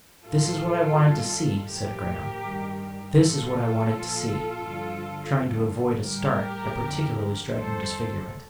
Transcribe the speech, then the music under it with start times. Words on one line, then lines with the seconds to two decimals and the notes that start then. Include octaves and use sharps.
"This is what I wanted to see," said Graham; "this is what I wanted to see," trying to avoid a start at a particularly striking disfigurement.
0.23 A2 G3 F4 A4
0.96 G2 D#3 G3
1.69 A2 F3 G4 A#4
2.41 G2 D#3 G3
3.14 A2 F3 F4 A4
3.87 A#2 F3
4.59 G2 D3 F3
5.32 F2 D3 G3
6.04 A2 G3 G4 A#4
6.77 F2 D3 F3
7.50 F2 D#3 G3 A4 C5